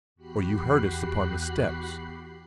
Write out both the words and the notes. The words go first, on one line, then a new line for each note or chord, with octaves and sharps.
Or you heard us upon the steps?
E2 F#4 G4 B5 F#6 C7